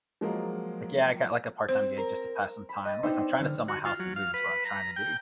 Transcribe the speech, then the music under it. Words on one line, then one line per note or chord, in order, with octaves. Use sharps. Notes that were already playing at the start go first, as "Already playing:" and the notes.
like, yeah, I got, like, a part-time gig just to pass some time, like, I'm trying to sell my house and move is what I'm trying to do,
F3 F#3 G#3 A#3
C4 C5
A#4
B5
D#5 A6
B3 D4 D#4 C5 E5 G5
D4
D3 G3 F6
F#4
F4
F#3
F5
B4
A#5
G5